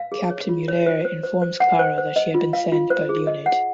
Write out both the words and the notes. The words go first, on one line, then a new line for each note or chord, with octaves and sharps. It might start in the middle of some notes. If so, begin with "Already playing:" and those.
Captain Muller informs Klara that she had been sent by Leonid.
Already playing: F5
G#4
C#5
F4
C#5
C5
C5
C5
C5
F#5
C5
C5
D#5
F4
F5
F4
C5
G#4
D#5
F#5